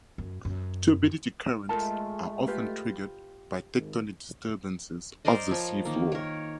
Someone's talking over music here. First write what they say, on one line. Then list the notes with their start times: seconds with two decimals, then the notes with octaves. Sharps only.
Turbidity currents are often triggered by tectonic disturbances of the sea floor.
0.18 F#2
0.45 F#2
1.69 G#3 A3 F4 A#4 A5
2.47 F4 G4 B4
3.75 G#1
5.25 A#4 C5 D5 D#5
5.51 F3 C#5
5.85 D#3 A#3
6.12 A#4 C#5